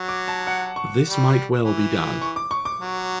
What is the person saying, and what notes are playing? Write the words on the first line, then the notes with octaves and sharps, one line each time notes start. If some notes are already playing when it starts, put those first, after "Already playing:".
This might well be done.
Already playing: F#3
D6
A5
F#5
C#6
G3
E3
C#6
D6
C#6
D6
F#3